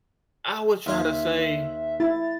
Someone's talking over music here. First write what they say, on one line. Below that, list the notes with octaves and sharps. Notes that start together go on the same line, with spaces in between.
I would try to say
D#2 F4 E5 G#5
E4 A6